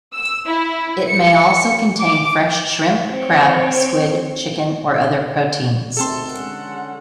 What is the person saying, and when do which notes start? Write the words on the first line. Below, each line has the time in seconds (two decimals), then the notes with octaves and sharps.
It may also contain fresh shrimp, crab, squid, chicken or other proteins.
0.13 E6
0.46 E4
1.07 C#7
1.99 D6
3.10 C4 C#5
5.97 D2 C3 D#3 C4 G#4 A4 A5 C6
6.30 D3 G#3 C#4 F#5